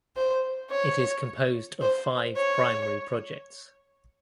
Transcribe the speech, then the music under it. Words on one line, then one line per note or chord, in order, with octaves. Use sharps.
It is composed of five primary projects.
C5
C#5
C5
C#5